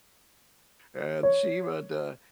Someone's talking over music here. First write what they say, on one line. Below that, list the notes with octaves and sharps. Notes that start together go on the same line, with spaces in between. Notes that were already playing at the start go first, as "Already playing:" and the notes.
And she would, uh
C#5